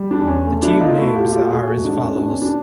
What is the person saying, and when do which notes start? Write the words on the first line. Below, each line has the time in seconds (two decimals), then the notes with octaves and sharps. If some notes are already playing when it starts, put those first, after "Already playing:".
The team names are as follows.
Already playing: G3
0.11 D4
0.19 E2
0.28 C#4
0.46 A3
0.63 D4 E4
0.72 B2
0.80 D#4 F4
0.98 A3 E4 F#4
1.15 F4 G4
1.24 A#2
1.32 F4 G4
1.50 A3 F#4 G#4
1.67 F#4 G#4
1.77 G#2
1.85 D4
2.03 A#3 C#4
2.15 D4
2.29 B2 C#4
2.42 D4